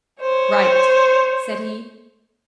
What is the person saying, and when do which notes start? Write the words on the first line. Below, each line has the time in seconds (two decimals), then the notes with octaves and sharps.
"Write," said he.
0.22 C5 C#5